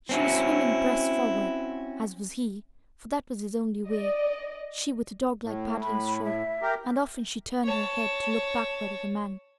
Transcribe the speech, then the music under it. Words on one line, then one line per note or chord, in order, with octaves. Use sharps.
She was swimming breast forward, as was he--for that was his only way--she with a dog-like paddling stroke, and often she turned her head to look backward at the man.
C4 C#4 E4 F#4
D5 D#5
A2
B5
E5
G4 A#4
C#5 A5